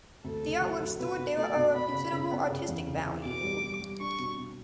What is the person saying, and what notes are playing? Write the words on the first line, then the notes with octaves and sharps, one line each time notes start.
The artworks stored there are of considerable artistic value.
D2 A4
C#3
F#3
F#3
B2 B4
B2
A3 D5
B2
B3 B5
C#3
C#3
B3
C#3
E2
C#3
E3
B2 D6
G3
G3
G3
D4 C#6
B2
B2